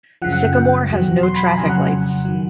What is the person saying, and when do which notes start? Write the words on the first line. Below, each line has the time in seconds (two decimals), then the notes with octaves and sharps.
Sycamore has no traffic lights.
0.22 F#2 C#3 F3 F#5
0.32 F#5
0.44 G5
0.56 F#5
0.89 E2 B2 F#3
1.23 C6
1.36 B5
1.47 A#5
1.57 F2 C#3 F#3 G#5
1.69 F#5
1.80 F#5
2.25 D#3 F#3